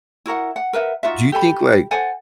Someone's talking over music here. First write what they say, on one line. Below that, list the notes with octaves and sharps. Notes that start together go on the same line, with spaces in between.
do you think like
E4 F#4 A#4 F#5
F#5
A#4 B4 E5 F#5
D#4 F4 F#4 E5
G4 A4 G#5 B5
A4 C5 F#5 G#5